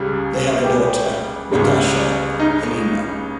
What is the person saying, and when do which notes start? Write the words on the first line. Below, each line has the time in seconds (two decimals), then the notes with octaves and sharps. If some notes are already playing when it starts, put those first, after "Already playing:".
They have a daughter, Natasha Haleema.
Already playing: C#2 C#3 G3 G#4
0.64 G4
1.51 C#2 C#3 G3
2.40 D#4